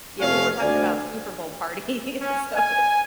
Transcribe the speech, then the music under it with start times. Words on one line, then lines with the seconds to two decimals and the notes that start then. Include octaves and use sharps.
Yeah, we were talking about Super Bowl parties, so,
0.20 F2 C3 F3 A3 C#4 F5
0.60 D2 D5 G#5
2.21 C#4
2.55 G#5